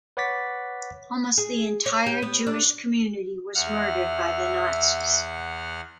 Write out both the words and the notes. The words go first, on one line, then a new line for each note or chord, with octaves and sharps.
Almost the entire Jewish community was murdered by the Nazis.
B4 C#5 F#5 D6 A6 B6
G#4
C#5
G4
B3
D4
E2 E5 F#5 F6